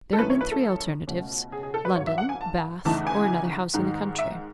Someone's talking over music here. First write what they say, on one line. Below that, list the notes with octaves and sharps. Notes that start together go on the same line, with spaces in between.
There had been three alternatives, London, Bath, or another house in the country.
A4
F#2 D#3 A3 C#4 E4 B4
C#5
B4
A4
C#2 B2 A3 C#4
G#4
G#4
A4
B4
G#1 G#2 F#3 C#5
E5
F#5
G#5
A5
E2 C#3 E3 A3 D#4 A5
G#5
G#2 D#3 G#3 D#4
E5